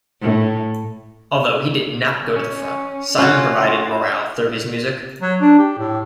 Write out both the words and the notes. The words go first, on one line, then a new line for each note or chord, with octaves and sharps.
Although he did not go to the front, Simon provided morale through his music.
A2
C#4
C#4 F4 F#4
F#3
D4
G4
A2